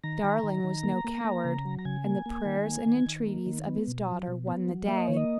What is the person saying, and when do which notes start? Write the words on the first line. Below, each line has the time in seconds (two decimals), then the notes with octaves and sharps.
Darling was no coward, and the prayers and entreaties of his daughter won the day.
0.04 D#3 A#5
0.24 D#3
0.43 D#3
0.64 D#3
0.83 A#3
1.04 A#3
1.25 A#3
1.45 C#3
1.65 F#3
1.79 A#5
1.85 C#3 G#5
2.05 A#3
2.26 A#3
2.45 D#3
2.66 A#3
2.86 D#3
3.06 D#3
3.27 A#3
3.46 D#3
3.67 B3
3.88 B2
4.08 F#3
4.28 B2
4.47 B3
4.68 F#3
4.88 A#3 E5
4.98 D#5
5.08 D#3 C#5
5.16 D#5